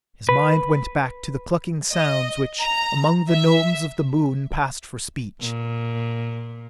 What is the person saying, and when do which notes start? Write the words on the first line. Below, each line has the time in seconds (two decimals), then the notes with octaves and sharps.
His mind went back to the clucking sounds which, among the Gnomes of the Moon, passed for speech.
0.29 B4
1.93 D#5
2.59 A#5
3.30 E5
5.41 A#2